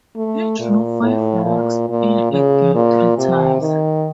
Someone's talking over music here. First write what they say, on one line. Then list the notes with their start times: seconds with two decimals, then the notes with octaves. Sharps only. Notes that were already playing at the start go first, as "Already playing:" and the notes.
He drew five walks in a game three times.
0.16 A3
0.60 A#2
1.03 A2
1.45 A#2
1.90 A#2
2.32 C#3
2.75 A#2
3.18 C3
3.61 D#3